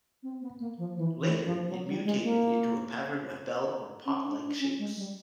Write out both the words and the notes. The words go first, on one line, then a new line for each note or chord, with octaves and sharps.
Later it mutated into a pattern of bell or pot-like shapes.
C4
B3
A#3
F3
E3
E3
F3
F#3
G3
G#3
A#3
C#4
D4
D4
C#4
G#3
G3